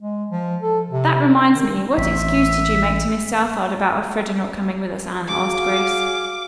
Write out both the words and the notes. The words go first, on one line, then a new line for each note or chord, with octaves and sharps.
"That reminds me, what excuse did you make to Miss Southard about Elfreda not coming with us, Anne?" asked Grace.
G#3
F3
A4
C3
D#3
A1 E5
F#4 G#4 F5 D6